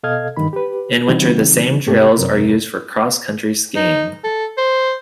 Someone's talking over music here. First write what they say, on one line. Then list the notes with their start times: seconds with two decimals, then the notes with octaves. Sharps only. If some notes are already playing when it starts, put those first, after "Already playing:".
In winter, the same trails are used for cross-country skiing.
0.03 B2 A4 D#5 F5 F6 G#6
0.37 G2 D#3 B5
0.53 G4 B4
1.07 C#3 E3 G3 C4 D#4 F#4
1.87 G#2 C3 A3 G4
2.15 F#2 C3 A#4
3.76 D#4
4.24 A4
4.58 C5